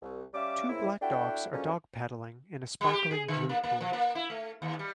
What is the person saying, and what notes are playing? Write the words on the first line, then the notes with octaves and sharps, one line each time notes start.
Two black dogs are dog paddling in a sparkling blue pool.
C2
G3 C#4 E5 F5 D6
C#3 A#3 C4 E4
A3 D4 E4 F#4 F#5 G5
D3 F3 F#3 G#3 A#3 C#4
G3
G4
G#4
D3
A#3
A#3
F3
A#3
E4
A3
D#2
G3